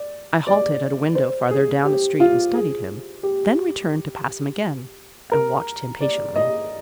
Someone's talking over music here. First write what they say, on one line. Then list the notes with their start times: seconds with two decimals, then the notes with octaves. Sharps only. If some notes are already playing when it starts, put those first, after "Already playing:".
I halted at a window farther down the street and studied him; then returned to pass him again, and watched him patiently.
Already playing: D5
0.47 D5
1.15 C5
1.51 G#4
1.85 G4
2.20 F4
2.54 G#4
3.23 G4
5.32 A#4
6.01 D5
6.36 D#5